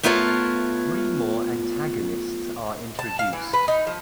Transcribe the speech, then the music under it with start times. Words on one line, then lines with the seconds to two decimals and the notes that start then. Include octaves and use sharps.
Three more antagonists are introduced.
0.03 A3 B3 F4 A#4 C#5 A5
2.99 A5
3.19 F5
3.33 E3
3.53 B4
3.68 D#4
3.87 F3